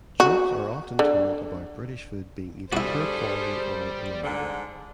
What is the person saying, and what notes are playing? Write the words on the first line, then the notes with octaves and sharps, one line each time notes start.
Jokes are often told about British food being either poor quality or inedible.
F#4
D3
G3 D4 E4 F#4 G#4 A4 C5
G#2 D3